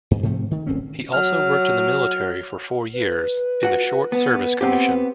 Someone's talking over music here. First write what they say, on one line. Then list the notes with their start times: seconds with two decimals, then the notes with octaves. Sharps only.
He also worked in the military for four years in the Short Service Commission.
0.11 G2
0.23 G#2 C3 F3 A3
0.51 D#3
0.67 D1 G#1 C4 C#4
1.13 F#3 F6
2.94 B4
3.63 F#4 F#5
4.12 B3
4.61 B3 C4 G4 F#5